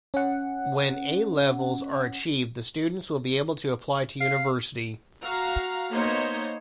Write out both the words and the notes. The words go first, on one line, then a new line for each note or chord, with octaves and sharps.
When A levels are achieved the students will be able to apply to university.
C#4 F#5
F5
F#4 F5 A#5
A#3 B3 D#4 C5 C#5 D#5